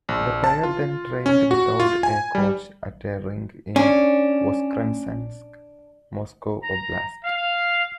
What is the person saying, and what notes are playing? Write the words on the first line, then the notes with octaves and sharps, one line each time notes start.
The pair then trained without a coach at a rink in Voskresensk, Moscow Oblast.
A#1
A5
F4
C#4
F#4
F4
G#5
G3
C#4 D4
A#5
F5